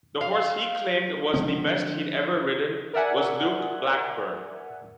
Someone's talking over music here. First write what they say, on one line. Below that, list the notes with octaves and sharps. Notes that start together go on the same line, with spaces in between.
The horse he claimed was the best he'd ever ridden was Luke Blackburn.
F5
D3 F3 G#3 C4
A#4 D5 E5 F#5 G#5